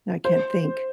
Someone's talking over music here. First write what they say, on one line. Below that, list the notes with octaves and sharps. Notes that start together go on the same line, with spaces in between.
I can't think.
C5